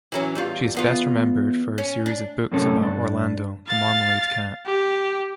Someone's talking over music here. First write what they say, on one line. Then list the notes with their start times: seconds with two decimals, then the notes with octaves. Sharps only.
She is best remembered for her series of books about Orlando the Marmalade Cat.
0.12 E3 F#3 C#4
0.35 E2 G3 F4
0.75 E2 B3 F4
1.78 C#4
2.06 D4
2.52 F#2 A2 C3 A#3 C#4 A4
2.80 G2 D4
3.68 F5 A6
4.66 G4